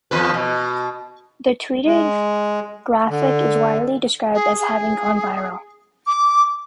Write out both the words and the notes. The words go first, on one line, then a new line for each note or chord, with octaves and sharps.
The tweeted graphic is widely described as having gone viral.
E2 F3 B4
B2
G#3
D3
G#4
G#4
D6